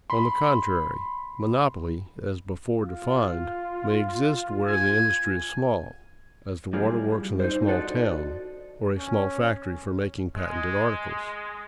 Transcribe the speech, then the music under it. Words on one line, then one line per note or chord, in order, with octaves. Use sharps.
On the contrary, monopoly, as before defined, may exist where the industry is small, as the waterworks in a small town, or a small factory for making patented articles.
B5 C6
F4
G#5
G3 E4 F4 G#4
D#4 C5
F4 F#4 A4 D5 D#5
C#4
G#3